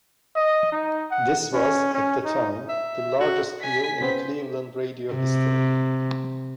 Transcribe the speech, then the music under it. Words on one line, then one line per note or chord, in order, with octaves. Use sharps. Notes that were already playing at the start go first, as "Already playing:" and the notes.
This was, at the time, the largest deal in Cleveland radio history.
D#5
D#4
F#5
C#4
C#4
D#4
E5
F#4
G#5 B6
C#3 B3 C4 C5
C3